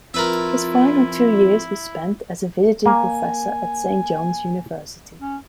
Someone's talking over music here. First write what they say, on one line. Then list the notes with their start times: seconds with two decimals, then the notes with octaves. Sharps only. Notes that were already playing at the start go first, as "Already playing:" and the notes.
His final two years were spent as a visiting professor at Saint John's University.
0.14 F2 E4 F4 A#4 B4 E5
2.86 A#3 G#5
5.21 C#4